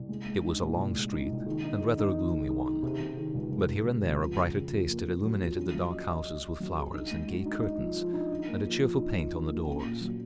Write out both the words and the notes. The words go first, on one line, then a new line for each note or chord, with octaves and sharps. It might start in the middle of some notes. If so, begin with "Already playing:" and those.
It was a long street, and rather a gloomy one, but here and there a brighter taste had illuminated the dark houses with flowers, and gay curtains, and a cheerful paint on the doors.
Already playing: C2
G#3
G#3
D#4
A#2
C2
G#3
D#4
C2
D#3
D#4
D#3
D#4
D#3
D#3
D#3
D#3
C3
C3
D#3
C#2
C#2
C#2
C3
C#2
F2
C#3
C#3
F2
A#3
A#3
F#3
F2
C#4
F#3
D#5
D#5
D#5
D#5
F#3
G#4
D#4
G#3
F#4
D#4
D#4
F3
F3
D#4
D#4
A#3
F3
F3
D#4
F3
D#4
A#3
C#4
A#2
F#3